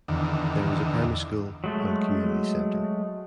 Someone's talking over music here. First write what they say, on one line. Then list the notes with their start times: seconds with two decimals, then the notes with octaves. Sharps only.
There is a primary school, and Community Centre.
0.08 E2 D3 D#3
1.64 F#3 G#3 A3